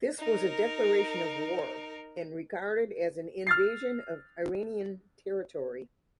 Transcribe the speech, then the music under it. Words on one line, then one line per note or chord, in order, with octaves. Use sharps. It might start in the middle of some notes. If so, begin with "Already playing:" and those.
This was a declaration of war and regarded as an invasion of Iranian territory.
D#4 A#4
F6 A6 C7